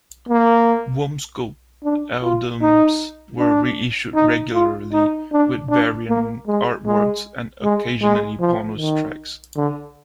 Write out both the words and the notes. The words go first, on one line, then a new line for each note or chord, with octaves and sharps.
Wumpscut albums were reissued regularly with variant artworks and occasionally bonus tracks.
A#3
D4
F4
D#4
D4
D#4
F4
D#4
D4
D4
A#3
G#3
G#3
G#3
G#3
F3
D#3
D3